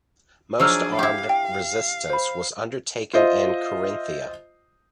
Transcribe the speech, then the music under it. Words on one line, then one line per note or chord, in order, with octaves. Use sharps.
Most armed resistance was undertaken in Carinthia.
F3 F#3 D4 D#4 G#4 C#6 E6 F6
E4 G4 F5
G5
C5 B5
F4 C5 D#5 E5